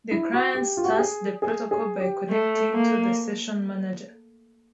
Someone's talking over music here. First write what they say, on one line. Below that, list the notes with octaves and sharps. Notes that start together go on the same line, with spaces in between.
The client starts the protocol by connecting to the session manager.
E4
F#4
G4
F4
F#4
G4
G#4
G#4
G#4
G4
A3
A#3